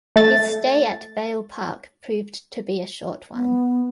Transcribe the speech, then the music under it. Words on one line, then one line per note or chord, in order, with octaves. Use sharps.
His stay at Vale Park proved to be a short one.
A3 A6
B3